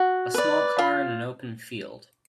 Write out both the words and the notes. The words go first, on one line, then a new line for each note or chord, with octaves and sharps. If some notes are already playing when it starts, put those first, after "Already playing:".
A small car in an open field.
Already playing: F#4
B4 D5
F4 B5